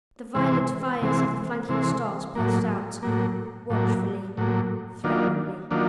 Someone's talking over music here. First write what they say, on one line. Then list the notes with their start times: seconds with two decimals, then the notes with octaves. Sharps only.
The violet fires of the flanking stars pulsed out--watchfully, threateningly.
0.35 C3 E3 G#3 C4
1.02 C3 E3 G#3 C4
1.69 C3 E3 G#3 C4
2.35 A2 F#3 A#3
3.03 A2 F#3 A#3
3.70 A2 F#3 A#3
4.37 A2 F#3 A#3
5.04 D#3 F#3 A#3 D4 F4
5.71 D#3 F#3 A#3 D4 F4